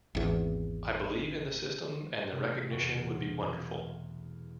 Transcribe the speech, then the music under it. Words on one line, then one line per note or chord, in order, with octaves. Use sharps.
I believe in the system and the recognition would be wonderful.
G#1 E2
C3 A3
E2 B2 F#3